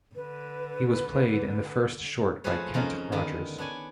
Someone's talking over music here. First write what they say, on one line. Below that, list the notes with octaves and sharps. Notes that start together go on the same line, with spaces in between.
He was played in the first short by Kent Rogers.
D3 B4
F3 A3 F#4 G#4 B4 C#5
F2 F3 C#4 D#4 A#4
D3 D#3 B3
B3 D4 C#5 G#5